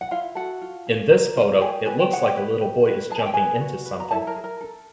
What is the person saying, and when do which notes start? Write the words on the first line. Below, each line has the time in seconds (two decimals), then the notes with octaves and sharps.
In this photo, it looks like a little boy is jumping into something.
0.01 F#5
0.11 E4 F4 F5
0.35 F#4 A4 F#5
0.62 F4
0.87 G#4
1.11 A#4
1.36 F4
1.61 G4 G#4 G#5
1.86 B4 G#5
2.00 G5
2.11 G#4 F#5
2.27 G4 G5
2.37 B4
2.61 G4
2.85 B4
3.10 G#4 A5
3.19 G#5
3.26 G5
3.34 G#4 B4 G#5
3.60 F#4
3.86 B4
4.00 A#5
4.11 E4 A4 A5
4.27 A#4 A#5
4.36 G#4
4.44 A#4 A#5
4.61 A4